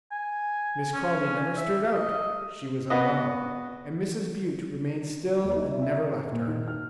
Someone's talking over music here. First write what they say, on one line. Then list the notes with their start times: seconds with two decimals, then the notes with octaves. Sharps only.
Miss Crawley never stirred out--she was unwell--and Mrs. Bute remained still and never left her.
0.12 G#5
0.94 C#4
1.57 E5
1.92 D#5
2.90 B3 F#4 D#5
5.44 D#1
5.56 D#4
5.70 E4
5.82 E5
5.96 A#4
6.31 A#2
6.48 D#3
6.68 F6